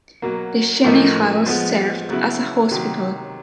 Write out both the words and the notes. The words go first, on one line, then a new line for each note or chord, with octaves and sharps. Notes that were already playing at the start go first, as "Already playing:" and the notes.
The Chaney house served as a hospital.
B2 F#3 A#3
A2 F3 A#3 D#4
F3 G#3 B3
C#3 F#3 B3 E4
C3 D#3 F#3